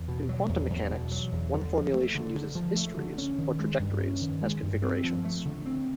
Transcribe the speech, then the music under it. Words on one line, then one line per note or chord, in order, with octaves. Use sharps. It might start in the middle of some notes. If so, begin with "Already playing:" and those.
In quantum mechanics one formulation uses "histories", or trajectories, as configurations.
Already playing: E2
B2
F#3
E2
E2
B2
F#3
E2
D3
F3
A3
D3
D3
F3
A3
D3
C#4
D#3
G#3
G2
C#4
D#3
G#3
G2
C4
F3
A3
D3
C4